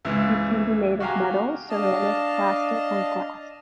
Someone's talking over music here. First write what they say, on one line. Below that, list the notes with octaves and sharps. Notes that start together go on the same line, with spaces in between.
It can be made of metal, ceramic, plastic, or glass.
C#2 G#2 C#3 E3
F#4 G4 F5 G#5 A#5
D4 D#5 F5 A5